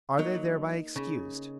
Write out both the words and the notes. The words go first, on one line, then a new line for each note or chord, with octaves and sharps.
Are they thereby excused?
F#3 A#3 D#4 A#4 D#5
C#3